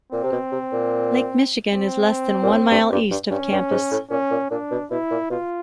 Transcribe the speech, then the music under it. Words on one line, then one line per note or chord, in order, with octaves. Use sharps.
Lake Michigan is less than one mile east of campus.
A#2 C4
C3
B2
C3
A#2
C4
A#2
A2
G2
G2
G2
G2 C#4
G2
G#2
A2
A#2 C#4
A#2
A#2 D4
B2
B2 E4
A#2
B2 F4